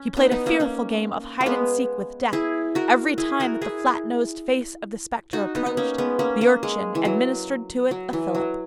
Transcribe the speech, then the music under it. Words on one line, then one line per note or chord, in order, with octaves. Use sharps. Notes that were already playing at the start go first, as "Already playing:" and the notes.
He played a fearful game of hide and seek with death; every time that the flat-nosed face of the spectre approached, the urchin administered to it a fillip.
Already playing: C#4
B3 D#4
B3 D#4
A#3 C#4
A#3 C#4
A#3
G#3 B3
E4 G#4
F#4 A#4
E4 G#4
F#4 A#4
E4 G#4
D#4 F#4
B3 D#4
D#4
A#3 C#4
G#3 B3
A#3 C#4
A#3
G#3
E3
F#3
F#3
E3
F#3